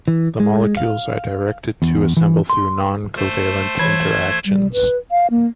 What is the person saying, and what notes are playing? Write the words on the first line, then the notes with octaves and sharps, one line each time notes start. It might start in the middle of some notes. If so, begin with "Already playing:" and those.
The molecules are directed to assemble through noncovalent interactions.
E3
G#3
F5
E2
E3
C6
A3 C5
E3 C#5 G#6
G3
B4
F5
A#3